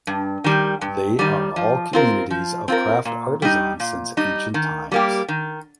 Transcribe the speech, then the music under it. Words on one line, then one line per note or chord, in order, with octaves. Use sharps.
They are all communities of craft artisans since ancient times.
G2
D#3 G3
G2
D#3 G3
F3
C4 F4 A#4
F3
C4 F4 A#4
A#2
G3 D#4
A#2
G3 D#4
D#3
G3 A#3 G4
D#3